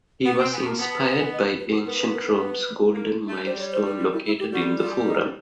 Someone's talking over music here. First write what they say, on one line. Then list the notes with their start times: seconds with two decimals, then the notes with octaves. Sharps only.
He was inspired by ancient Rome's Golden Milestone located in the Forum.
0.25 B3 F#5
0.38 C4 G5
0.52 B3 G#5
0.65 A#3 A5
0.79 B3 A5
0.92 A5
1.06 G#5
1.19 G#5
1.32 D#5
1.45 B4
1.59 B4
1.72 G#4
1.85 B3 A#4
1.99 B4
2.12 A#4
2.25 A4
2.38 B4
2.92 A#3
3.28 A3
3.45 G3 C5
3.59 C#5
3.72 C5
3.86 B4
3.99 F4
4.12 E4
4.26 E4
4.39 G4
4.52 G3 F#4
4.78 F4
5.05 D#4